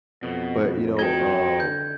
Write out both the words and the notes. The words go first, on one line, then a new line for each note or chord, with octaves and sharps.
but, you know, uh,
F2 B2
F#4 D#5 G5 G#6
D3 G6